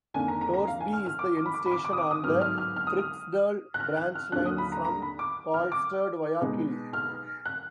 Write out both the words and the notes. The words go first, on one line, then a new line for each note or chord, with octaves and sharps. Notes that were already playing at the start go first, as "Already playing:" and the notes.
Torsby is the end station on the Fryksdal branchline from Karlstad via Kil.
F2 D#3 A#3 D4 G#5
A#5
A#5
A#5
F5
G#5
F6
F6
D6
D6
B5
D6
B5
D6
D6
D#6
D6
D#6
G#2 F#3 B3 F6
F6
F6
F6
D#6
F6
F#6
F6
F#6
F6
D#2 D3 F#3 D4 F#6
D#6
B5
A#5
A#5
B5
D6
F6
D6
B2 G#3 B3 D#4
F6
F#6